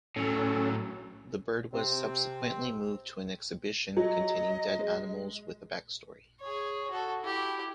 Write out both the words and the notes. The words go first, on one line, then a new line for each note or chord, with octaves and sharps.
The bird was subsequently moved to an exhibition containing dead animals with a backstory.
A2 F#3 C#4 A4
C3 C4
F#3 D#5
G#3
G#4 C#5
F#4 A4
E4 G4